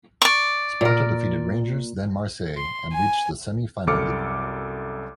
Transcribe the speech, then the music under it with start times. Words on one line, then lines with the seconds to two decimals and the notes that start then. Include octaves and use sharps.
Sparta defeated Rangers, then Marseille and reached the semi-final group.
0.22 D5 C#6
0.81 A#2 A#4
2.57 C6
2.93 G#5
3.87 C2 F#2 A4 D6 F6 C#7